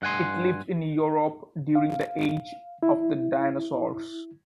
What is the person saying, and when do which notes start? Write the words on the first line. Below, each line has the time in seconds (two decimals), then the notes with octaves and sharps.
It lived in Europe during the age of the dinosaurs.
0.02 G2 F#5 G#5 C6
1.75 F5
2.83 E4